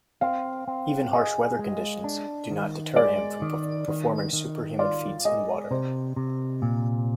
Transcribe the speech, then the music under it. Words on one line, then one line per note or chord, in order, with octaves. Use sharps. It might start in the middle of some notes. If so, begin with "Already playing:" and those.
Even harsh weather conditions do not deter him from performing superhuman feats in water.
C4 F5
C4
G#4 D#5
G#3
D4
D#3
G#3 D5
D#3
D#3
D#3
F4 D5
G#3 D#5
C3 C5
C3
A#2